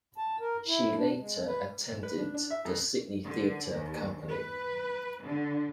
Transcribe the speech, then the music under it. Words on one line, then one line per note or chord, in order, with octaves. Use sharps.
She later attended the Sydney Theatre Company.
A5
A#4
E4
D4
G#3
B4
B4
D4
D4
E5
F2
D3
D#2
B4
D3